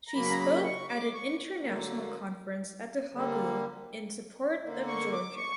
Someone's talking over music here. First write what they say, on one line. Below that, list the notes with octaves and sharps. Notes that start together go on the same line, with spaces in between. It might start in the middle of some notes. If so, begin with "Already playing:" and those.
She spoke at an international conference at The Hague in support of Georgia.
A#5
C#3 F#3 A#3 B5
A#5
B5
C#6
D6
C#6
D3 F#3 A#3
D3 G3 A#3
D3 A#3
C#6
D6
C#6